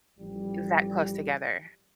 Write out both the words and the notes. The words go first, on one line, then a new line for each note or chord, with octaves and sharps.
that close together.
A1 F3 G3